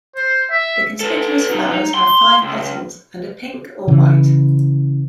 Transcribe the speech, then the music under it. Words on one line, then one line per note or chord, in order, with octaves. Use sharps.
The conspicuous flowers have five petals, and are pink or white.
C5
E5
A4 B4
B2 D#4
D#4
C6
C#2
C#3 E3